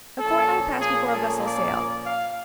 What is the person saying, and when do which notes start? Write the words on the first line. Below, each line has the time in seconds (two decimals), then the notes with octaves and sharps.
A fortnight passed before a vessel sailed.
0.19 A#2 F3 A#3 C#4 A4
0.81 G#4
1.12 A4
1.44 D5
2.06 F5